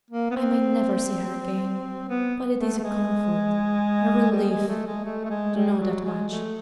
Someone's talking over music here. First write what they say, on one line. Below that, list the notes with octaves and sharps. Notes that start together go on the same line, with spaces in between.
I may never see her again; but it is a comfort--a relief--to know that much.
A#3
B3
C4
B3
A3
A3
G#3
G3
G#3
A3
G#3
A3
A3
G#3
G3
F#3
G#3
A3